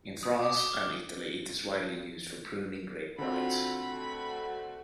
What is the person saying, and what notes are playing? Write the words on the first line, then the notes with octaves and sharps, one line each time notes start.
In France and Italy it is widely used for pruning grape vines.
D#6
D6
G7
F6
D3 C4 F4 F#4 B5
A3 F#4